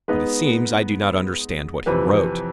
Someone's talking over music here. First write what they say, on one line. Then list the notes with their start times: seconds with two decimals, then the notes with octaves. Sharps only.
But it seems I do not understand what he wrote.
0.08 G#3 B3 D#4 B4
1.86 F2 C3 E3 B4